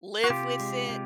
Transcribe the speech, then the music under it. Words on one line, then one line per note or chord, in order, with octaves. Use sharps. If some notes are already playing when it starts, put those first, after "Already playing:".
live with it,
F#4
C3 F4 G4
G#3
C3